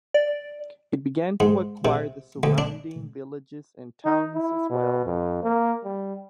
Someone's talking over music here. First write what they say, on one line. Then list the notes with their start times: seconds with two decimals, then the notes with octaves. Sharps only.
It began to acquire the surrounding villages and towns as well.
0.14 D5
1.40 G#2
1.85 C3
2.43 D2
2.58 D4
4.05 D#4
4.35 E4
4.70 B2
5.06 F2
5.43 A#3
5.84 G3